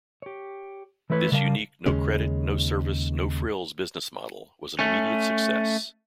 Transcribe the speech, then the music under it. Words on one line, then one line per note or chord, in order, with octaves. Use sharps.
This unique no-credit, no-service, no-frills business model was an immediate success.
G4 C#5
E3 A3 E4 B4 C#5
C#3 G3 A#4 D#5 F5 A5
D#2 C#3 G#3 C#4
A3 C#4